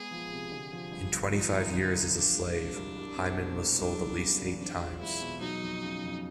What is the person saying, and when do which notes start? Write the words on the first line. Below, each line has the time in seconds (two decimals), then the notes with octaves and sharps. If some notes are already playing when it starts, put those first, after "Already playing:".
In twenty-five years as a slave, Hyman was sold at least eight times.
Already playing: G#3 B3 G#4
0.11 F3
0.31 C3
0.51 D3
0.72 F3
0.92 G2
1.12 G1
1.33 F3 D#4
1.53 F#2
1.74 D3
1.94 F#2
2.14 F3 D4
2.35 G#3
2.55 C3
2.76 C2
2.96 G3
3.16 C4
3.37 B2
3.58 C2
3.78 F#3 D4
3.98 B3
4.19 C#3
4.39 E2
4.60 C4 D4
4.80 F4
5.01 G#3 E4
5.21 B2
5.41 F#3 D#4
5.62 F2
5.82 C#3
6.03 F2